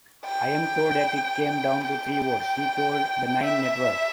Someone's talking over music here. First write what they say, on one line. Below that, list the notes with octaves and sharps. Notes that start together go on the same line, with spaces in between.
I'm told that it came down to three votes, she told the Nine Network.
G5
G5
E5